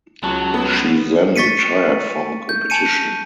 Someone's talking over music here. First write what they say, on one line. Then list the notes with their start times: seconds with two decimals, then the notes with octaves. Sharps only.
She then retired from competition.
0.24 C#2 F#3 A5
0.54 B3
1.36 C#6 A6 B6 C#7 D#7
2.49 G6
2.70 G#5 A5 C#7 D#7